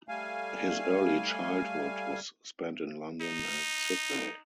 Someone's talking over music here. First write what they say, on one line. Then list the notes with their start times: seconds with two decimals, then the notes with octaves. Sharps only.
His early childhood was spent in London and Sydney.
0.09 G3 A3 F5 G#5
3.21 D#4